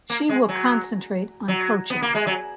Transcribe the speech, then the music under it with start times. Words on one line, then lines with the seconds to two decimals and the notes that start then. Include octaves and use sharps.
She will concentrate on coaching.
0.10 A#3
0.29 G#3
0.49 F#3
1.48 F#3
1.90 B3
2.02 A#3
2.15 G#3
2.27 F#3